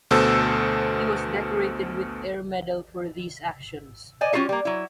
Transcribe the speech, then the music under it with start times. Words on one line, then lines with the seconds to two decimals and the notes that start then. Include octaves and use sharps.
He was decorated with Air Medal for these actions.
0.11 D2 B2 A4 C5 E6
4.21 C5 D5 D#5 G#5
4.33 G3 C#4 F4 F#4 A4 E5
4.49 G3 A#3
4.65 F#3 E4